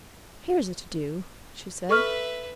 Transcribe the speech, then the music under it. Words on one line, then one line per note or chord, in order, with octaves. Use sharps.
"Here's a to-do," she said.
A4 B4 E5 C#6 F6